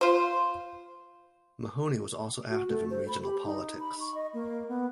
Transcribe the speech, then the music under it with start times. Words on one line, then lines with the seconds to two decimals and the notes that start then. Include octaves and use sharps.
Mahony was also active in regional politics.
0.01 F4 C5
2.50 F#4
2.69 A3
2.90 C5
3.08 B5
3.23 G4
3.45 D#4
3.79 B5
4.00 C#6
4.15 D#5
4.34 A#3
4.69 B3